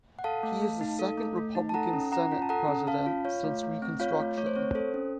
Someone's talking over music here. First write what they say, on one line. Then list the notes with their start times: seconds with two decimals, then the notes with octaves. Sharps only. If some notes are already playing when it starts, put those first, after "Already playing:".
He is the second Republican Senate President since Reconstruction.
0.19 F#5
0.24 A4 F5 A5
0.43 A3
0.62 A3
0.81 D#4
0.99 A4
1.18 A3
1.37 A3
1.55 D#4
1.69 A5
1.74 A4 F#5 A#5
1.93 C#4
2.12 C#4 F#5 A#5
2.32 F4
2.42 A5
2.49 A4 F#5 A#5
2.68 C#4
2.87 C#4 F5 A5
3.06 F4
3.25 F4 C#5 F5
3.44 A3
3.63 A3
3.82 C4
4.00 F4 C#5 F5
4.20 A3
4.38 A3 C#5
4.47 C5
4.55 C4 C#5
4.75 A4 C5
4.94 C#4